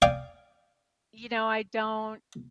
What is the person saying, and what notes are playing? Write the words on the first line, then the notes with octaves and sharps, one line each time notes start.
you know, I don't
D5 F5 G5 G#5 D#6